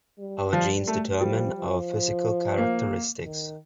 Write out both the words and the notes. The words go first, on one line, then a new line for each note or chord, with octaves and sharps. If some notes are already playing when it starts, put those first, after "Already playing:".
Our genes determine our physical characteristics.
G3
F3
A3
F3 G3
F3
A#3
D#3